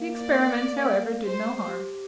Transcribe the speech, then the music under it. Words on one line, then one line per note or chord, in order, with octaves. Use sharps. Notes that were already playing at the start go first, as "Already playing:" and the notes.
The experiment, however, did no harm.
Already playing: A#3
D5
A#3
G#3 C5
G#3
G#3
G4